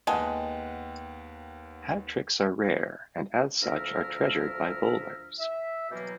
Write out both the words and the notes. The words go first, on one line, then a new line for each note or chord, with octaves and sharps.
Hat-tricks are rare, and as such are treasured by bowlers.
D#2 G#3 B3 F#5 G5 A5
D2 F3 D4 A#4 E5 F6
E5
B2 E3 F#3 G3 A#3 E4